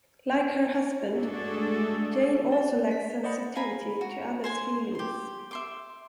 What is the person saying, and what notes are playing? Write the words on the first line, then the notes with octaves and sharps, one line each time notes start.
Like her husband, Jane also lacks sensitivity to other's feelings.
G#3 A3 D4 F#4 G#4 A4
D5
B6
C5 D5 D#5 F#5 B5
F5 G#5 A#5 B5
F#4
C5 G#5 C6
G4 C6
E5 C6 D6